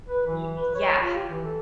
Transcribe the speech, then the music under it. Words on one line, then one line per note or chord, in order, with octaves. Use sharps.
Ye yeah.
B4
E3
B4
C#5
F4
G4
E3
A4